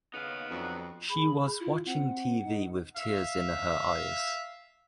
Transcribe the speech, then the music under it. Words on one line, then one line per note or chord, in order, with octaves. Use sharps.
She was watching TV with tears in her eyes.
C#3 B3 D#4 F5
F2 D3 F#3
G#4 B5
E4 F4
C4 F#5
D#4
E5 F5